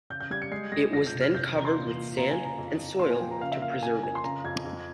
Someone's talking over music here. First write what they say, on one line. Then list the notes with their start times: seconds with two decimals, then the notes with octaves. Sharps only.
It was then covered with sand and soil to preserve it.
0.10 C#3 G6
0.20 G6
0.31 G3 G#6
0.42 C#7
0.52 G#3 C7
0.72 G#3 A#6
0.93 F2 A#6
1.07 G6
1.14 C3
1.21 F6
1.35 C3 G6
1.44 F6
1.55 E2 A#5
1.65 C6
1.75 A#2
1.97 A#2
2.17 C#3 A#5
2.31 G#5
2.38 C#3
2.45 A#5
2.58 F2
2.79 F2
2.99 A#2 C6
3.11 G#5
3.20 F3 G5
3.31 A#5
3.41 C#3 F5
3.52 E5
3.62 A#3 F5
3.72 F5
3.82 C#3 G#5
4.03 F2 G#5
4.15 C6
4.24 C#3 A#5
4.44 F2 G#6
4.65 F2